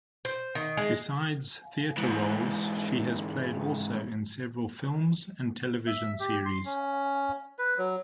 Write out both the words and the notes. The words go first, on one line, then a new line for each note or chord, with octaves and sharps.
Besides theatre roles she has played also in several films and television series.
C5
D#3
G#3
G#2 E3
E5
G4
C6
C#4
B4
F#3